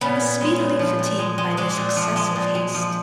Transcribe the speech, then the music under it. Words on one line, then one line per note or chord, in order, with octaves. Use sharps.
He was speedily fatigued by this excessive haste.
A#2 B3 C#4
A#2
G#3
A#2
F3
A#2
G#3
G#3
G#3 C4 D4
A#2
F3
G#3
A#2
G#3
F3